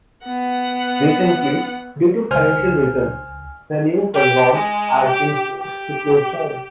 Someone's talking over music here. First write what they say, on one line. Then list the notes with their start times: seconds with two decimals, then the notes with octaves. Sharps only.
Recently, due to financial reasons, the New Curzon has been forced to close down.
0.25 B3 F#5
2.31 C#2 C5 G#5 F6
4.14 G4
4.54 G#3
5.07 G4
5.58 G4